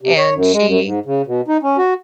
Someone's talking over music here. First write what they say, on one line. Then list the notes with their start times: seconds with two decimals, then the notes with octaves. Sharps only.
and she
0.01 C3
0.18 C#5
0.35 F#2
0.53 G#3
0.67 F#2
0.85 G#2
1.06 C#3
1.27 B2
1.48 D#4
1.63 C#4
1.78 F#4